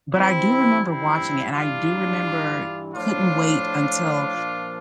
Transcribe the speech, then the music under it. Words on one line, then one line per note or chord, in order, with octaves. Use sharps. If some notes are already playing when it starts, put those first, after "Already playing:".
But I do remember watching it and I do remember couldn't wait until
G2 E3 C4 E4
C4 E4
G2 E3 D4 F4
A2 F3 D4 F4
A#2 F3